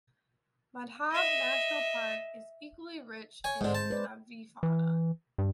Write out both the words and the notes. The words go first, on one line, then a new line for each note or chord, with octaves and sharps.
Madhav National Park is equally rich in avifauna.
D#5 E5
C#5 G#5
G#2 D3 G#3 C5
A5
B4 D5
E3
G2